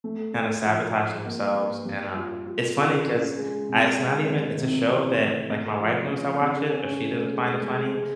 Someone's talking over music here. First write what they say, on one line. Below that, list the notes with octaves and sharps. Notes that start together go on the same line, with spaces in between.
kinda sabotaging themselves, and, um, it's funny 'cause I it's not even it's a show that, like, my wife knows I watch it, but she doesn't find it funny,
A3
A3
F3
D#4
A#3
A#3
G3
F4
F4
C#3
C#3
G#3
C3
G#3
D#3
C3
E3
A3
A3
F3
C#3
C#3
C#4
A3
G#3
G#3
G#3